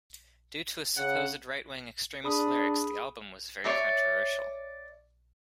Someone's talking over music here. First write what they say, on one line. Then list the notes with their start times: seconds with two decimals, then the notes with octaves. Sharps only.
Due to supposed right-wing extremist lyrics, the album was very controversial.
0.97 C#3 F#5
2.24 D4 G#4 B5 D#6
3.64 C#5 D5 E5